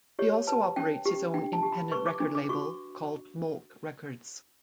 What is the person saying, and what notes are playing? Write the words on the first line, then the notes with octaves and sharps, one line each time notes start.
He also operates his own independent record label called Molk Records.
G4 C#5
B4 A5
C#4 G5
G4
D4 G5
A5
G4
B5
B4 C#6
D6
D4
D6
F#4 C#6